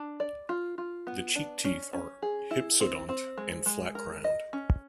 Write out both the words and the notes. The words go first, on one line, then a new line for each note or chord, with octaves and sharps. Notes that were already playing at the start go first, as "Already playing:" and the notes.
The cheek teeth are hypsodont and flat-crowned.
Already playing: D4
D5
F4
F4
B3
D4
C#4
C#4
G#4
E4
C4
C4
G#3
G#3
A#4
D#5
C#4